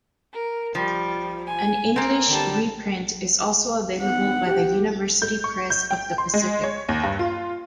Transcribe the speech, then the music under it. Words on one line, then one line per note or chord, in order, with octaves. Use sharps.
An English reprint is also available by the University Press of the Pacific.
A#4
F3 G3
G#5
A#3 C4
D3 G3 A5
B3 F#5
G4
G6
C#6
G6
G5
C6
G#3
C#5
D#2
G2
F4